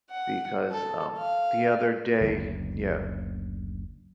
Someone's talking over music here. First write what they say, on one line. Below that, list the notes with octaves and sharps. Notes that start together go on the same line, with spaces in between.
Because, um, the other day Yeah,
F#5
A4
F5
F#1 D2